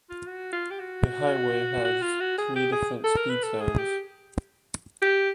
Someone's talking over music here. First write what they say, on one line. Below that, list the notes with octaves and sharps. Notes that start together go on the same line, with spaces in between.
The highway has three different speed zones.
F4
F#4
F4
G4
F#4
F#4
F4
F#4
G#4
G4
G#4
A4
A#4
B4
A4
G#4
G4
G4